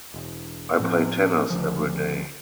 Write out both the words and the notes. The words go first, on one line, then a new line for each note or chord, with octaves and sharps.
I play tennis everyday.
E1
A2 F3 C4
D2 C#3 F3